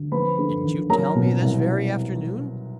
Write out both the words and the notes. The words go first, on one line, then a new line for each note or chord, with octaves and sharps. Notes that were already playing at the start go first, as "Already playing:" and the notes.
"Didn't you tell me this very afternoon?"
Already playing: D2
F3 B4 B5
D3
D#2
F#3 A#4 A#5
B2
C2